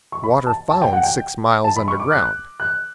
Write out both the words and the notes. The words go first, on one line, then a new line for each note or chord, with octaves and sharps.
Water found six miles under ground.
C#6
B5
A5
A5
G5
F#5
G5
A5
B5
C#6
D6
F#6
F#6